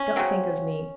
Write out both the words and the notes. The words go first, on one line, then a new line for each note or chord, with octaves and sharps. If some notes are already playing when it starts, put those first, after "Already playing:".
Don't think of me.
Already playing: C#4
C#3 F#3 C4